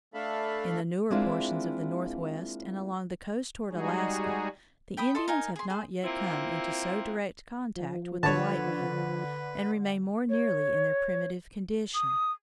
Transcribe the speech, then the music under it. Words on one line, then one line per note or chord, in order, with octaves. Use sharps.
In the newer portions of the Northwest and along the coast toward Alaska the Indians have not yet come into so direct contact with the white men, and remain more nearly in their primitive condition.
A3 D4 A4 E5 F5 B5
G#3 A#3 C4 D4 E4 F4
G3 G#3 D#4 F#4 G#4
G5 B5 D#6
A4 D#5 C6
D#4 A#4 G#5
G#4 C6
G#4 C5
A#3 C4 E4 F4
F3
D3 B4 C#5 A5
C#5
D#6